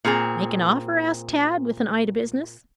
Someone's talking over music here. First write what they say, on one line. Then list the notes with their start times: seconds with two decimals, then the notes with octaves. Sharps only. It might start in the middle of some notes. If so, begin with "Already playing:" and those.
"Make an offer?" asked Tad, with an eye to business.
0.05 A#2 C4 G#4 A#5